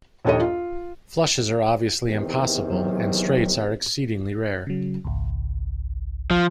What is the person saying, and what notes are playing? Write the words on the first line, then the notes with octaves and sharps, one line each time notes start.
Flushes are obviously impossible, and straights are exceedingly rare.
A#1 D#2 A4 C#5 D#5
F4
E2 C3 D#3
F#3
C#3 F#3
G#1 C#2
F3